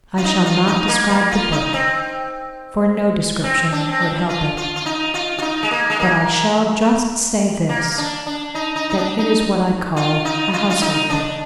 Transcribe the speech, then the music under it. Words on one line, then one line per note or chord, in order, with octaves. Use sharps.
I shall not describe the book, for no description would help it. But I shall just say this; that it is what I call a Household Book.
F4
D#4
F4
D#4
A#3
A#3
F4
D#4
C4
C4
D4
C4
D4
F4
F4
F4
D#4
F4
F4
D#4
G#3
A#3
G#3
A#3
A#3
D4
D4
D#4
D#4
D#4
D4
D#4
F4
D#4
F4
F4
D#4
D4